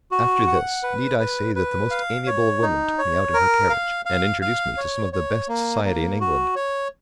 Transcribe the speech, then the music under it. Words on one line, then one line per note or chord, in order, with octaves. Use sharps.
After this, need I say that the most amiable of women took me out in her carriage, and introduced me to some of the best society in England?
F#4
F#5
B4
B4
B4
F5
C#5
D#4
C#5
A#4
F5
F5
F5
C#5
C#5
A#3
A#3
F#4
C#5